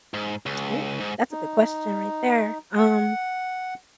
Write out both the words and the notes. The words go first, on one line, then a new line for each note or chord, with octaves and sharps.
Ooh, that's a good question right there, um,
G#2
C#2
G#2
D#4
F#5